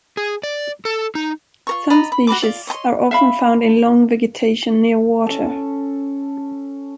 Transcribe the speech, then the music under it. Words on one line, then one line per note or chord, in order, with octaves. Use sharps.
Some species are often found in long vegetation near water.
G#4
D5
A4
D#4
F4 A#4 C#6
D5 D#5 A#5 B5
B5
F#4 A#4 B5 D6
F4 D5
C#5 D#5 G#5 C6
E5 F5 B5
C#4 A4